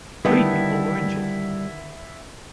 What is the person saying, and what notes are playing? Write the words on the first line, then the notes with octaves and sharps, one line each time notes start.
Three people were injured.
D3 D#3 G3 B3 E4